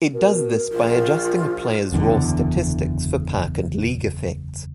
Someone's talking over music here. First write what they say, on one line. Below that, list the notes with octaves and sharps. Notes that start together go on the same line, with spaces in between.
It does this by adjusting a player's raw statistics for park and league effects.
B2 A#4
A#1 F4
F#1 E2 D3